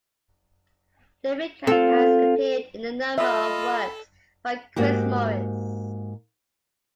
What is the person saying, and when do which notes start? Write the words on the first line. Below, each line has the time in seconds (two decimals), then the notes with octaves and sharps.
David Cann has appeared in a number of works by Chris Morris.
1.67 C4 F4 A4
3.18 F4 A4 D#5 E5 B5
4.76 G#2 A#3 F#4 G4